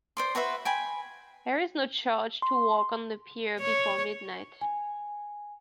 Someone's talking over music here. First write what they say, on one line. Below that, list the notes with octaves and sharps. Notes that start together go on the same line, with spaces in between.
There is no charge to walk on the pier before midnight.
C5 D5 C6
F#4 B4 C5 E5
G5 G#5 B5
C6
C#5
G#5